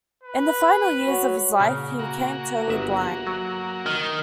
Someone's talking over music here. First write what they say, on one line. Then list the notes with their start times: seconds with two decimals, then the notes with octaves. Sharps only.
In the final years of his life, he became totally blind.
0.23 B4
1.06 F#4 C#5
1.60 A#2 C#3
1.99 A#3 F#4
2.68 G1 E5
3.27 F#3
3.86 D#3